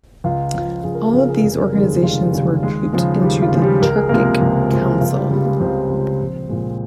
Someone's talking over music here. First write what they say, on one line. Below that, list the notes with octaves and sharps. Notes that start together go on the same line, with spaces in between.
All of these organizations were coopted into the Turkic Council.
C#2 F4 F5
C#3 F3
C#2 G#4
A#4
G#4
C#3 F3 A#4
G#4
F1 A#4
G#4
A#4
D#2 C#3 G3 G#3 G#4
F1 F4
D#2 C#3 G3
D#2 G#3 G#4
C#3 F3 G#3
D#2 G3 G4
F4
C#3 F3 G#3
G3 G4
C#2 A#4
G#4
C3 F3 G#3 A#3 A#4
C#2
C3 F3 G#3
C#2 F4
G3 G4
C#3 G3 G#3 G4
G#3 G#4
C#2 C4 C5
C#3 G#3
A#1
A#2 F3 G#3